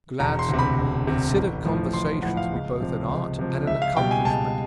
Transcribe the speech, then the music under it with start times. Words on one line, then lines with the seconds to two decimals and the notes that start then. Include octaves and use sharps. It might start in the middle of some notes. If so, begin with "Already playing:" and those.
Gladstone considered conversation to be both an art and an accomplishment.
0.20 E1 A#5
0.39 C6
0.49 D2 C3
0.59 B5
0.78 E1
1.07 D2 C3
1.36 A1
1.65 A2 F3
1.93 A1 C6
2.22 A2 F3 F#5
2.37 F5
2.52 C#2
2.80 C3 F3
3.09 C#2
3.39 C3 F3
3.67 C#2 E5
3.82 F5
3.97 B2 G3 G5
4.11 G#5
4.25 C#2 A5